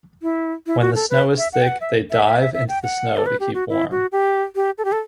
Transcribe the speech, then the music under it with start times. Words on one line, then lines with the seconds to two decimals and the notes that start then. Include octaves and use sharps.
When the snow is thick they "dive" into the snow to keep warm.
0.22 E4
0.67 E4
0.81 F#4
0.95 A4
1.10 B4
1.38 E5
1.53 F#5
1.62 G5
1.67 F#5
1.81 E5
2.10 E5
2.25 E5
2.40 E5
2.54 E5
2.69 G5
2.83 F#5
3.17 A4
3.26 B4
3.40 G4
3.54 F#4
3.69 E4
3.91 F#4
4.12 G4
4.55 G4
4.78 A4
4.85 G4
4.92 A4